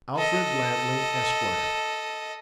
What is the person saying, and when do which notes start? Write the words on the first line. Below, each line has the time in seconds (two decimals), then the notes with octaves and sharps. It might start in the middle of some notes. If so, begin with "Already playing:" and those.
'Alfred Lammle, Esquire.
0.17 A4 D#5